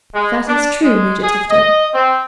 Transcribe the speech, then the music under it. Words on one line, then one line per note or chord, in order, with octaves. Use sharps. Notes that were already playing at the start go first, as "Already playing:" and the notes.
"That is true, Major Tifto."
G#3
D4
G#3
G#4
D#5
C4